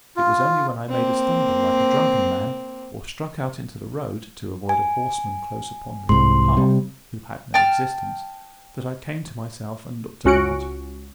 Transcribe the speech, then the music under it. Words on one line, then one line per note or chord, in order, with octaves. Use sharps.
It was only when I made a stumble like a drunken man, or struck out into the road to avoid a horseman close upon me on the path--who had no existence--that I came to myself and looked about.
F4
A#3 C4
G#5
C2 G#2 C6
C3 G3
G5 A5 F6
C#2 C#4 F#4 C#7 D7